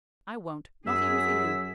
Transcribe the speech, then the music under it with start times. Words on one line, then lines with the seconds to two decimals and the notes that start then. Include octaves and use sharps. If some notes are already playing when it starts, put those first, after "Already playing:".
I won't, not even for you.
0.86 F#2 G#4 E6 B6